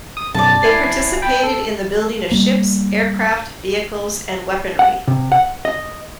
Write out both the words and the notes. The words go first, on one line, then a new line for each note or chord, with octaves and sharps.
They participated in the building of ships, aircraft, vehicles, and weaponry.
D#6
B1 F#2 D5 A5
E4 G#5 C7
G5 B5
A4
G3 G#3 A#3
F#5
C3
F#5
D#5